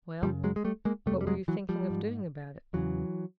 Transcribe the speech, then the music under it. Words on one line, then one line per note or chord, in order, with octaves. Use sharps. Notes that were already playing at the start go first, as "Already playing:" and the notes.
"Well--what were you thinking of doing about it?"
F#2 C#3 F3 G3
F#3 G#3
G#3
G3 A3
G#3 A#3
C3 G3 A3
F2
G3
F#3 G#3
E3 F#3
F3 G3
G#2
E2 C#3 E3 F#3